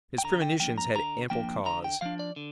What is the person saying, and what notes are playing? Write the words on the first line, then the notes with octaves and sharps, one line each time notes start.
His premonitions had ample cause.
G5
D3 A#5
G5
F3 A#3 D4 G5
A#5
D3 A#5
F3 A#3 D4 G5
D3 A#5
G5
F3 D4 F5
D5
D3